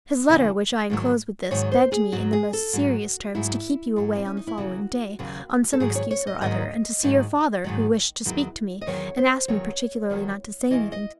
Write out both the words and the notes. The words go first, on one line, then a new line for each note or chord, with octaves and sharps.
His letter, which I inclose with this, begged me, in the most serious terms, to keep you away on the following day, on some excuse or other, and to see your father, who wished to speak to me, and asked me particularly not to say anything to you about it.
D#2 C#3 E3
G#2 D#3 F#3
G#2 D#3 F#3 C#5
C5
G#4
G#2 F#3 F#4
G#4
A4
G#2 F#3 F#4
G#2 F#3 E4
G#2 F#3
C4
C#4
D#4
E4
D#2 C#3 F#3 F#4
D#2 C#3 F#3
A4
G#2 D#3 F#3 G#4
C#5
C#5
D#5
G#2 D#3 F#3 D#5
G#2 D#3 F#3
G#2 D#3 F#3
E2 D#3 F#3
D#5
E2 D#3 F#3 C#5
C5
E2 D#3 F#3 C#5
E2 D#3 F#3
E2 C3 E3 D#5
D#5